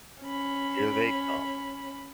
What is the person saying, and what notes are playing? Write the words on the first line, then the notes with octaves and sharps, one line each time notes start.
Here they come.
C#4 B5